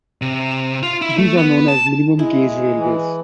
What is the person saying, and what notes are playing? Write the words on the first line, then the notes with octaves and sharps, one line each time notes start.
These are known as minimum gauge railways.
C3
F4
E4
A3
B3
A5
G#3 E4
E3